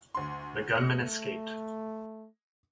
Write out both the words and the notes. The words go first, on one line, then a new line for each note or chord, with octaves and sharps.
The gunmen escaped.
D2 C6
A3 A#6 C#7